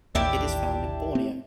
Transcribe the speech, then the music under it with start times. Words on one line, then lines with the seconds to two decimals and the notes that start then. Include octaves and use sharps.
It is found in Borneo.
0.15 A1 D#2 D4 E4 G4
1.15 C4